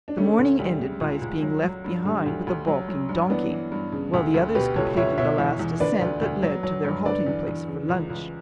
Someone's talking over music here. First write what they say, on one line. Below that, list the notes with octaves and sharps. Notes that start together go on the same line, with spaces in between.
The morning ended by his being left behind with a balking donkey, while the others completed the last ascent that led to their halting-place for lunch.
D4
D3 A3 C#4
D2
D2 G3
C#3
C#2
C#2
F#3
F#3
G2
D3 G3
D2
D2
F#3
F#3
G2
E3 B3 D4
E3
G2
C#3
D2
D2
B2 G4 B4
C#2 A4 C#5
C#2 C#5 E5
B2 C#5 E5
E2
E2
D3 B4 D5
D2
D2
F#3
F#3
G2
D3 B4 D5
E2
E2
C#3
C#2
C#2